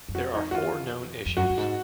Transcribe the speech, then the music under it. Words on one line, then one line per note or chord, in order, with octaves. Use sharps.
There are four known issues.
F#2
F2 F#4
D#4
F#4
F4
F2
F#2 F#4
F#2
G#2